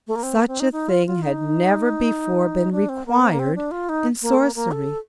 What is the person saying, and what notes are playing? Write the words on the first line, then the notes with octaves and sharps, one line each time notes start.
Such a thing had never before been required in sorcery.
A3
A#3
C4
A#3
C4
D#4
D#4
F4
F4
D#4
D4
C4
A#3
C4
A#3
C4
D4
F4
D#4
A#3
A3
A#3
A#3
A4